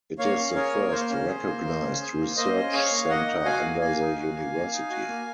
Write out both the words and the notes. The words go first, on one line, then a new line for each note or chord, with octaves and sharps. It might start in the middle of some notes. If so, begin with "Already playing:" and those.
It is the first recognized research center under the university.
A#3 C#5 F5
C#4
G#4 A#4 C#5
A#3
A#3 C5
C#4
G#4
A#3
A#3
C#4
G#4
A#3
A#3 C5 D#5
C#4
G#4 C#5 F5
A#3
A#3 D#5 F#5
D#4
F#4 F5 G#5
A#3
A#3 F5 G#5
D#4
F#4
A#3
A#3
D#4
F#4
A#3